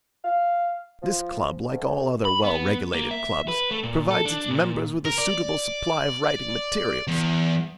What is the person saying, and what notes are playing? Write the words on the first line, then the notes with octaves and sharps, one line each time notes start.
This club, like all other well-regulated clubs, provides its members with a suitable supply of writing materials.
F5
F3
D2
B5
B3
A#3
E5
B4
A3
A#2
A4
D4
A#2
A#4
D5
E2